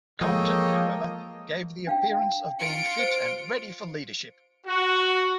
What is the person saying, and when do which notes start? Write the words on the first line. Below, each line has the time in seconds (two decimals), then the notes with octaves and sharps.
Compton, however, gave the appearance of being fit and ready for leadership.
0.21 F3 G#3 A#3 A4 C#5 D#5 G5
1.87 D4 F5 G5
2.59 F4 C#7 D7
2.99 C5
4.66 F#4